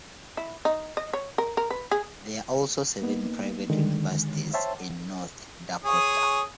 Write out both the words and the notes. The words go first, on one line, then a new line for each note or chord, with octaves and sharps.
There are also seven private universities in North Dakota.
E4
D#4
D#5
C#5
A#4
A#4
B4
G#4
A#3 B3 D#4
D3 D#3 G#3
C5 C#5 E5 G5 A5 C6
G#4 C#5 D#6